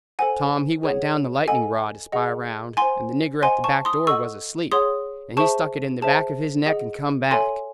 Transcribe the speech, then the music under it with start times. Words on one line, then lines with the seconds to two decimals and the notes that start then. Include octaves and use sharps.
Tom he went down the lightning-rod to spy around; and the nigger at the back door was asleep, and he stuck it in the back of his neck and come back.
0.19 A4 C5 F#5 G#5
0.83 G#4 C#5 F#5
1.48 A4 D#5 F#5 G#5
2.12 G#4 D#5 F#5
2.77 C5 F#5 G#5 C6
3.42 C5 D#5 F#5 G#5 C6
3.64 A5 C#6
3.85 C6 D#6
4.07 A4 D#5 F#5 C#6 E6
4.72 G#4 C#5 F#5 C6 D#6
5.37 G#4 C5 E5 A5 C#6
6.01 G#4 C5 E5 A5
6.66 G#4 D#5 F#5
7.31 A4 C#5 E5 G#5 C6